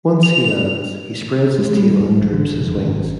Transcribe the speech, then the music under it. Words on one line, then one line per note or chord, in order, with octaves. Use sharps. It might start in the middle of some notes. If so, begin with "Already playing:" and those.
Once he lands, he spreads his tail and droops his wings.
F7
G#3
G3
G#2
A1
D3
F1
G#1